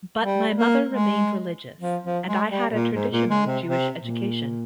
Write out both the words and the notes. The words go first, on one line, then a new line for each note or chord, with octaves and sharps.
But my mother remained religious and I had a traditional Jewish education.
G3
A#3
G#3
F3
F3
G#3
G3
A#2
G#2
A#2
G#3
C3
C3
A#2